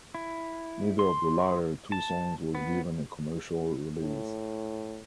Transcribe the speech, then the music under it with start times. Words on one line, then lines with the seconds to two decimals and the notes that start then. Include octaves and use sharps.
Neither of the latter two songs was given a commercial release.
0.15 E4
0.99 C6
1.92 A5
2.55 B3
4.00 A2